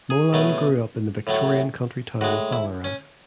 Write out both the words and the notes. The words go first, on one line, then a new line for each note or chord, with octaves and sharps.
Molan grew up in the Victorian country town of Ballarat.
G#4
B2 F#3 A3
A2 F#3 A3
A2 G#3 F#4
E4
C#4